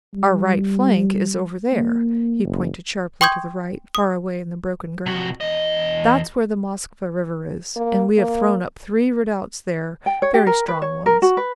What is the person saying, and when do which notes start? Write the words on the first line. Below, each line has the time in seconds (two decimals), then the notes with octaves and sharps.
Our right flank is over there"--he pointed sharply to the right, far away in the broken ground--"That's where the Moskva River is, and we have thrown up three redoubts there, very strong ones.
0.14 G3
1.73 A#3
2.44 F#1
3.21 G5 C6 C#6 D#6 G6 G#6
3.95 D#6
5.06 C3 F#4
5.41 E2 D#5
7.76 A#3
8.18 A#3
10.06 G5
10.22 C#5
10.34 G4
10.47 A#4
10.68 B4
10.82 C#5
11.06 A#4
11.22 F#4
11.37 B4